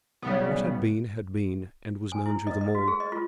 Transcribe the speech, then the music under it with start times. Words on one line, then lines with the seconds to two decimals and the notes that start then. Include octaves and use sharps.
What had been had been, and was known to them all.
0.22 B1 C#3 G3 B3
2.12 G#5
2.26 E4
2.47 D#5
2.61 D#5
2.75 F#4
2.88 G#4
3.00 D#5
3.12 F4